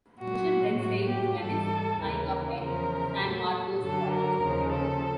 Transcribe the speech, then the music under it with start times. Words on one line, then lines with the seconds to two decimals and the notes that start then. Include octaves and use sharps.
The ship then sailed to Venice, tying up at San Marco Square.
0.20 A#2 F#3 F#4
0.80 A2 F#3 F#4
1.10 G4
1.41 G#2 E3 G3 A4
2.00 D#2 C#3 E3 A#4
2.61 E2 C#3 F3 A#4
3.21 A#2 F#3 A4
3.82 F#2 D3 F#3 A4
4.12 A#4
4.42 D#2 C#3 F3
4.73 A4